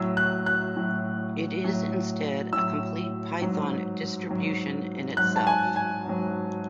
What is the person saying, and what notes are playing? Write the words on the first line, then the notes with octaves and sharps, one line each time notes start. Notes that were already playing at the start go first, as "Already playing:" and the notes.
It is instead a complete Python distribution in itself.
Already playing: A2 F#3 E6
F#6
F#6
A2 F#3
A2 F#3
A2 F#3 E6
G#2 F#3
G#2 F#3
G#2 F#3 F#6
A5
G#5
G#5
G#2 F#3